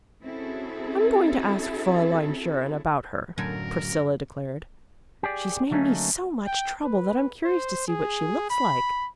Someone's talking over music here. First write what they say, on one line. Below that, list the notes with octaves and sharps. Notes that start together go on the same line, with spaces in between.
"I'm going to ask Fraeulein Scherin about her," Priscilla declared. "She's made me so much trouble that I'm curious to see what she looks like."
C4 C#4 E4 F#4 G#4 A4
F#2 A2 D3 F#3 A4 A#4 G#5
G4 G#4 D5
D3 F#3 A3 A#3 C#4 D#4
G5
B4
C5
G#4
B5